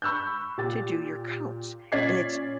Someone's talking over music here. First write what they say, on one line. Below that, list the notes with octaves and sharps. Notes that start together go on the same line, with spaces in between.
to do your counts. And it's
B5 C#6 E6 F#6 G6
A#2 G4 A6
A#2 C#4 D5 G#6 B6 C7